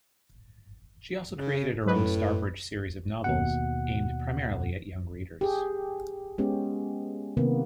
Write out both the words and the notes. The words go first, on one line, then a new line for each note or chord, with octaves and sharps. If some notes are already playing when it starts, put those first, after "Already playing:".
She also created her own Starbridge series of novels, aimed primarily at young readers.
C#3
F#2 A2 B4
D#2 B2 F#5
G4 G#4
G#3 B3 C#4 G4
C3 D#3 A#3 B3